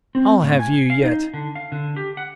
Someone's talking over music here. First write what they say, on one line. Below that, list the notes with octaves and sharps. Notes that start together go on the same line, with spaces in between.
"I'll have you yet."
C4
A2
G#5
F5
D#4
D3
F5
D3
G4
F#5